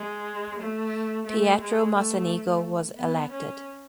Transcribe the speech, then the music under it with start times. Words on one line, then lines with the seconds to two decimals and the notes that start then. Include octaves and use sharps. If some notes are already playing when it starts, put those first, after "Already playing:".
Pietro Mocenigo was elected.
Already playing: G#3
0.60 A3
1.27 A3
1.61 G#3
1.94 A3
2.97 B3
3.32 C#4